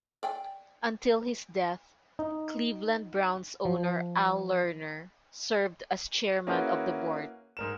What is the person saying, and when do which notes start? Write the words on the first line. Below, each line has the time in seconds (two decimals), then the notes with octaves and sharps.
Until his death, Cleveland Browns owner Al Lerner served as Chairman of the Board.
0.23 D5 G5 G#5
2.19 D#4
3.65 F3
6.47 A#3 C#4 E4 F#4 G#4 B4
7.57 G#2 A#4 E7